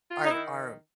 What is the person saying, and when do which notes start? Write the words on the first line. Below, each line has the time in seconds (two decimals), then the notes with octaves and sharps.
our our
0.09 F4
0.25 D#4
0.28 D#3 E4